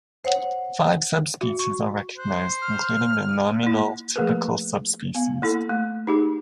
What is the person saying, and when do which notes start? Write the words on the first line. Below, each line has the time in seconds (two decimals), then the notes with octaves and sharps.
Five subspecies are recognized, including the nominotypical subspecies.
0.24 C5 C#5 F#5
1.41 F#4
1.59 C#6
2.17 C5 F#6
2.62 F6
3.63 A#3 E4
4.16 F3 A3 A#3 G#4 A#4 B4
5.15 B3 F5
5.42 A#3 E4 A4
5.69 A3
6.07 D#4 G4 G#4